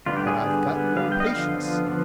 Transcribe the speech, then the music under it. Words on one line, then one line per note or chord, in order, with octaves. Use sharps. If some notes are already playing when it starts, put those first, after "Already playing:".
"But I've got no patience."
D3 G3 B3 F4
G4
G#4
D3 G3 B3
D3 G3 B3
D3 G3 B3 F5
G5
D#5
D3 F3 B3 F5
D3 F3 B3
D3 F3 B3